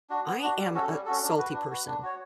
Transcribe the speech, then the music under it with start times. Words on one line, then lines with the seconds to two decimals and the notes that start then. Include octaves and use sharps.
I am a salty person,
0.10 D4 F#4
0.26 B3
0.42 D4 F#4
0.59 G3
0.75 C#4 F#4 A4
0.91 G3
1.06 C#4 F#4 A4
1.23 D4
1.38 F#4 B4
1.54 D4
1.70 F#4 B4
1.87 D4
2.03 F#4 C#5